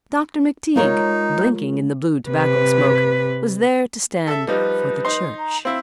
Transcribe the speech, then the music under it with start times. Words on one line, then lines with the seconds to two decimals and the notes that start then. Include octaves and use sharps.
Dr. McTeague, blinking in the blue tobacco smoke, was there to stand for the church.
0.76 G#3 D#4 F4 A#4 C#5
2.29 C3 B4
4.27 A4 E5
4.48 F3 G3 D#4 B4
5.05 D#4 C5
5.39 A#5
5.65 C4 E4 F5